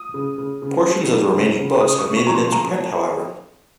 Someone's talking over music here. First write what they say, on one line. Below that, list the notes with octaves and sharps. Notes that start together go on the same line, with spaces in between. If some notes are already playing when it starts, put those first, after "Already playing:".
Portions of the remaining books have made it into print, however.
Already playing: D#6
C#3
C#3
C#3
F#3
F#3
C#3
C#3
C#3 D#6
C#6
C#3
C#6
F3 A#5
C6
F3 A#5